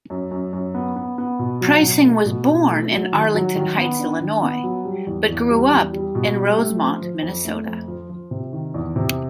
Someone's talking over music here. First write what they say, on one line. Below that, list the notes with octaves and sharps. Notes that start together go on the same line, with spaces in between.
Preissing was born in Arlington Heights, Illinois, but grew up in Rosemount, Minnesota.
F#2
F#2
F#2
B3
B3
B3
B2
F#3
B2
A3
B2
B2
A3
F#3
D#3
F#3
D#3
B3
D4
D#3
B3
F#3
G3
E2
E2
G3
E2
G3
B2
G3
A3
F3
F3
F2
A3
F2
F3
F3
C3
D#3
E2
C3